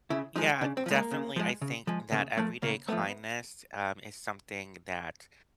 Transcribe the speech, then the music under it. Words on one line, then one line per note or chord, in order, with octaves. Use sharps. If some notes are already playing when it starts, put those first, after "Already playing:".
Yeah. Definitely, I think that everyday kindness, um, is something that,
C#3 E4
F3 G#3 D#4
C#3 D4
C4
F3
G#3 A#3
C#3
F3 G#3
C#3
F3 G#3
C#3 A#3
F3 A3 A#3
C#3 A#3
F3 A3 B3